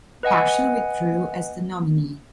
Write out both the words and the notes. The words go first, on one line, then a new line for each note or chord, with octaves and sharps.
Paschen withdrew as the nominee.
B4 D#5 F#5 G#5